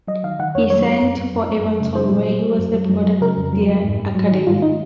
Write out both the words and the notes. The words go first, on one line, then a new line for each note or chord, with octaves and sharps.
He signed for Everton where he was a product of their academy.
F#3 D#5
D#3 F5
D#3 F#5
F2 C#5
F#3 C#5
F#2
F#2
F#2
F#2
F#2
F#2
C#3
F#3 C5
A#2
F#3
F#3
F#2
F#3
F#3
F#3
C#3 A#4
F2
F#3
F2
G#2
G#2
F#3
D#3
G#2 F4
D#4